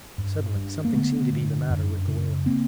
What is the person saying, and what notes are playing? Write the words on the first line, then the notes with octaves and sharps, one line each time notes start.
Suddenly something seemed to be the matter with the whale.
G2
G2
A#3
D3 A3 B3
G2
F#2
C#3
A#3 C4